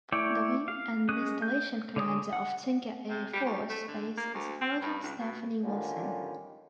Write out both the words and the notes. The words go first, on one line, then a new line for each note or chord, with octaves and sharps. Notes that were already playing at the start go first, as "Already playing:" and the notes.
The Wing and Installation Commander of Tinker Air Force Base is Colonel Stephanie Wilson.
A3 E4 C#5 D5 G5
F5
G#3 C#4 D#6 F#6
G6
D3 C#5 D#6
F#5
C3
G3
D2
A3
D3
A#3
D2
C4
G2
C#2
B2
A1 D3 D#3 G3 C#4 F4